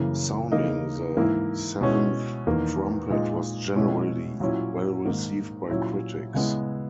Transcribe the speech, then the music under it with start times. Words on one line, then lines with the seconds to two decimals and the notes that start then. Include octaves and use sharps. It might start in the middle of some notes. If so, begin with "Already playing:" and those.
"Sounding the Seventh Trumpet" was generally well received by critics.
Already playing: F#2 C#3 E3 A#3 E4
0.52 C#3 E3 A#3 D#4
1.17 G#2 E3 A#3 E4
1.81 B2 G#3 C#4 E4
2.47 E2 D#3 A#3
3.10 A#2 G#3 D#4
3.75 B2 G#3 C#4 E4
4.40 A#2 F#3 C#4 E4
5.05 G#2 D#3 A#3
5.70 A#2 F#3 C#4 E4
6.34 C#3 G#3 B3 E4